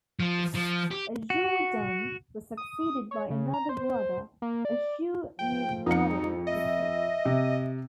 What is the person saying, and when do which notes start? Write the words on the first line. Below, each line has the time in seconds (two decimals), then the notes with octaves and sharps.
Ashur-dan was succeeded by another brother, Ashur-nirari V.
0.20 F3
0.55 F3
0.91 G4
1.30 F#4
2.57 D#6
3.11 C#5
3.31 C#3
3.54 A#5
3.69 C5
4.42 A#3
4.65 D5
5.39 G#2 F3 G5
5.86 F2 D#4 C#7
6.47 D#5 E5
7.25 C3